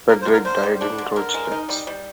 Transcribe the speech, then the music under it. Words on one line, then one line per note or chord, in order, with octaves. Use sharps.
Frederick died in Rochlitz.
A#3 A#4
C5
D3
A#4
D3 C5
G3
D4
D3
D3 A#4
G#3
D#4
G3
G3